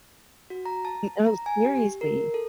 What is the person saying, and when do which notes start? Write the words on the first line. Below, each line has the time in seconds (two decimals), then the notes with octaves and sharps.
No, seriously.
0.50 F#4
0.65 A#5
0.85 A5
1.26 A#5
1.46 G#5
1.65 G4
2.01 A#4
2.34 A4